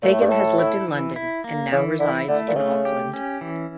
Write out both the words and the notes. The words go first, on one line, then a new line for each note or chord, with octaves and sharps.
Fagan has lived in London and now resides in Auckland.
A#2 A3
A2
G2
A2 A4
E4
E3
E4
A#3
C#3 E3
D3 E4
D3 A3
A#2
C#3 A3
G4
C#4
E3